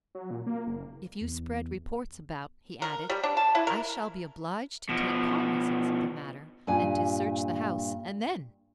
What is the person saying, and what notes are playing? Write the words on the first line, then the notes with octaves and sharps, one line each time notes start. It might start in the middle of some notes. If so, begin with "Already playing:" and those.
"If you spread reports about," he added, "I shall be obliged to take cognizance of the matter, and to search the house, and then!..."
F#3
A#2
A#3
F#1
E2
A#4
G3
D4
A5
E4
A#4
B2 F3
G2 A#2 G#5